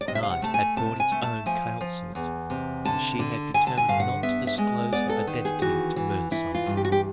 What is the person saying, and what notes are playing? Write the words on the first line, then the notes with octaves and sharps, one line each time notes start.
Night had brought its own counsels, and she had determined not to disclose her identity to Mernside.
D5
C3 D#5
E5
F5
F#5
A3 A5
G#5
C3 A5
G#5
A3
A5
F3 G#5
F3
E2
C3
D3 A5
D3
D3 G#5
A5
G#5
G2 F5
F#5
B3 E5
E5
G#3 D#5
B3 D5
A4
D#3
G#4
E3 F#4
E3
E3 E4
F4
G2
G4
F#4
G4